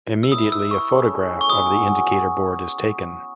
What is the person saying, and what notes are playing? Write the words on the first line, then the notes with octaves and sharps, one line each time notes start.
Immediately a photograph of the Indicator Board is taken.
E6
E4 B4 E5 D#6
E6
C#6
A3 C#4 G#4 C#5
C#6
G#3 B3 F#4 C#5 D#6